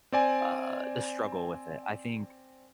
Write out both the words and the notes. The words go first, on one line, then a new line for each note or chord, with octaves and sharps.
uh the struggle with it. I think
C4 D5 G#5